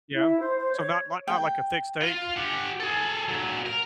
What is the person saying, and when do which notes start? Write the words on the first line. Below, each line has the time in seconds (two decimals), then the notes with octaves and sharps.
Yeah. So not not not like a thick steak?
0.14 E4
0.40 C5
0.57 C5
0.73 C#5
1.28 G5
2.01 F4
2.36 G4 F#5
2.80 G#4 A4
3.28 A#2 F#3
3.66 A#4